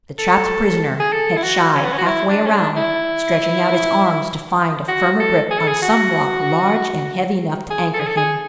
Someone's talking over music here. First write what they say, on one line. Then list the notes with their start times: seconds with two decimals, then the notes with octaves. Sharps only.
The trapped prisoner had shied halfway around, stretching out his arms to find a firmer grip on some rock large and heavy enough to anchor him.
0.19 A4
1.00 G#4
1.12 A4
1.37 E4
1.43 F#4
1.75 C#4
1.84 B3
1.92 C#4
1.98 F#4
2.07 E4
2.29 D4
2.47 C#4
2.53 D4
2.76 E4
4.88 F#4
5.20 A4
5.51 G#4
5.59 A4
5.68 G#4
5.82 F#4
7.71 G#4
7.94 A4
8.00 G#4
8.08 A4
8.17 G#4